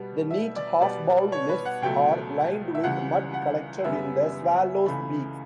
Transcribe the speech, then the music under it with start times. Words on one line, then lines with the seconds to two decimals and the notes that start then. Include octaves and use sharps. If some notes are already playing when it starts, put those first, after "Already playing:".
The neat half-bowl nests are lined with mud collected in the swallows' beaks.
Already playing: B2 G3 B3
0.31 E5
0.56 D5
0.81 B2 G3 B3 D5
1.32 C#5
1.49 B4
1.65 F#5
1.82 C#2 B2 F#3 A3 G5
2.75 E5
2.84 C#2 C#3 E3 G3 F#5
3.34 F#5
3.84 F#2 C#3 G3 B3 E5
4.86 C#2 C#3 E3 A3 B5